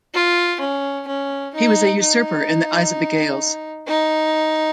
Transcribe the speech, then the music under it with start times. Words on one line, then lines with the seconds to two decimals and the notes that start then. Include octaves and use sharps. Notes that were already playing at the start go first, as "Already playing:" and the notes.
He was a usurper in the eyes of the Gaels.
0.14 F4
0.60 C#4
1.07 C#4
1.54 D#4
2.01 D#4
3.87 D#4